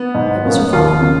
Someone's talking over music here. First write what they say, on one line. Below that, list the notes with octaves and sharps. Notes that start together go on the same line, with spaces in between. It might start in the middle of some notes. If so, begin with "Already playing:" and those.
It was her father.
Already playing: B3
G#2
F3 A#3 C#4
D#2 F4
C#3